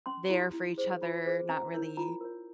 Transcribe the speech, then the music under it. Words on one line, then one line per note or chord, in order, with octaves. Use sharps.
there for each other, not really
C#4 C6
E4 G4
E4
G#4 C5
F4
G#4 C5
C#4 A#5
E4 A#4 C#5
F4 A#5
A#4 C#5